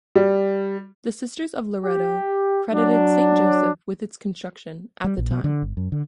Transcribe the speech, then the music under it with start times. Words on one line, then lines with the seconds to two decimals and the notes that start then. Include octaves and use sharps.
The Sisters of Loretto credited Saint Joseph with its construction, at the time.
0.15 G3
1.84 G4
2.72 F#3 D4
5.04 G3
5.18 A#1
5.31 B2
5.44 D3
5.62 G1
5.77 F#2
5.92 D3